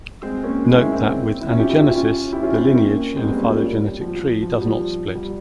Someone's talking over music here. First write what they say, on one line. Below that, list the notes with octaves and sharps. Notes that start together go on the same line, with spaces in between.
Note that with anagenesis the lineage in a phylogenetic tree does not split.
G#3 C4
A#3 C#4
G#3 C4
E4
A#3 C#4
C4 E4
E4
C#4 F4
E4 G4
E4 G4
C#4 F4
C#4 F4
E4 G4
C#4 F4
C4 E4
C4 E4
A#3 C#4
G#3 C4
G3 A#3
A#3 C#4
C#4 F4
G3
F3
F3
G3
F3
G3